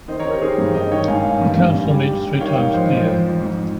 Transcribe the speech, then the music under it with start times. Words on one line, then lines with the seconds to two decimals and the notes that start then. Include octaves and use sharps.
The Council meets three times per year.
0.08 D#3 C5 D#5
0.20 A#4 C#5
0.25 D#3
0.31 G4 A#4
0.41 D#3 G#4 C5
0.58 G2
0.74 D#3 D#5 G5
0.91 D#3 C#5 F5
1.08 G#2 F5 G#5
1.25 G#2
1.41 G2
1.58 G2
1.75 G2
1.91 G3
2.07 G3
2.24 G3
2.33 G5
2.41 D#3 C#5 F5
2.57 G#2
2.73 F2 C5 D#5
2.90 F3
3.07 F2
3.23 F2
3.40 G#2